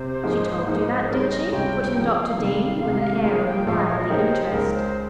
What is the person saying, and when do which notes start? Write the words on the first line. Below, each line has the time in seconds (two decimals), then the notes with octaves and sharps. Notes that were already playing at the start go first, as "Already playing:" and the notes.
"She told you that, did she?" put in Dr. Dean, with an air of lively interest.
Already playing: C3 C5
0.23 G#2 F3 A#3 D#4 G#4
0.66 G#2 F3 A#3 D#4
1.09 C#3 G3 C#4 A#4
1.19 C5
1.30 D#5
1.41 D#5
1.51 C#2 C3 G3 C#4 F4 G5
1.94 C#3 F3 A#3
2.16 F5
2.38 C3 D#3 G3
2.81 C2 C3 D#3 G#3
3.23 C#3 G3 A#3 F4 G#4 F5
3.45 G5
3.66 A#1 A#2 F3 G#3 F5
3.77 D#5
3.88 C#5
3.99 D#5
4.09 C#3 G#3 D#4 G4 A#4 C5
4.52 C#2 C#3 G#3 A#4
4.74 C5